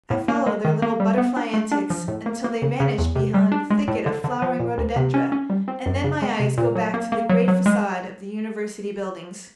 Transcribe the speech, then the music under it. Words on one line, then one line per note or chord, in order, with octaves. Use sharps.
I follow their little butterfly antics until they vanish beyond a thicket of flowering rhododendra, and then my eyes go back to the great facade of the University buildings.
A2
A#3
G#3
D#3
A#3
G3
B3
D4
A3
D4
F3
A2
A#3
A#3
C#3
C#3
E2
C3
G3
D4
G#3
A2
D3
D3
F3
A#2
D2
C3
C#4
C#4
G3
C4
F#2
C#3
G#3
C3
A#2
F#3
A#3
A#3
F#3
F#3
G#3